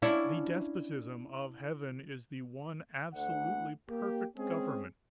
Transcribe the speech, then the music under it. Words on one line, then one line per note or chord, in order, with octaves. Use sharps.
The despotism of heaven is the one absolutely perfect government.
C#4 D4 E4
D2 F#5
A#3 G4
G#3 C4 C#4 G#4